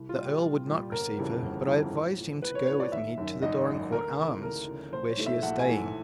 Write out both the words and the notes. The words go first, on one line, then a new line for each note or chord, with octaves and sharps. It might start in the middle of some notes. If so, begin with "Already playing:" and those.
The Earl would not receive her, but I advised him to go with me to the Dorincourt Arms, where she is staying.
Already playing: C2
F4
A#2 G3
G4
C2
A#2 G3
G1 A#4
F2 C#3 E3 G3
G1
F2 C#3 E3 G3
A1
A2 F3
A1 B4
C#5
A2 F3 C#5
D5
G#1 E5
F#2 D#3
G#1 D#5
F#2 D#3
D2 A#4
C#3 E3
D2 A#4
C#3 E3
A#1 C5
C#5
G#2 E3 A3
E5
A#1 F#5
G#5
G#2 E3 A3